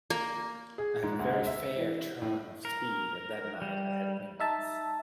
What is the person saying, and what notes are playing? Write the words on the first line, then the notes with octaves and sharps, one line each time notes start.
I have a very fair turn of speed, and that night I had wings.
A#3
G#4
G#2
D2
G#3
E5
E3
A2
A#4
G3
D#4 E5 A5